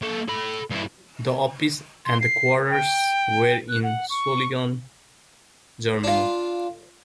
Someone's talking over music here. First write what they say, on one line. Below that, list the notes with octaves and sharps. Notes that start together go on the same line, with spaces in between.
The office and the quarters where in Solingen, Germany.
A#3 A4
A4 B5
G2 E4
C6
C7
G5
F#6
F#5
C#6
D4 F4